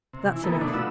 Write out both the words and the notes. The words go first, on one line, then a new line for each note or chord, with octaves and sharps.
That's enough.'
C3
E3
D#3 E3 A#3 B3 A4
B2 D3 A3 D4 D#4
F3 A3 F#4 B4 E6